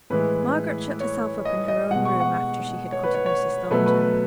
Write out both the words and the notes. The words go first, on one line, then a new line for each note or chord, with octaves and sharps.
Margaret shut herself up in her own room, after she had quitted Mrs. Thornton.
A2 E3 G#3 B4
C#5
D#5
D#5
B2 G#3 F#5
C#6
F#5
C#5
B4
C#5
C#5
B2 F#3 A3 B4
B4
B4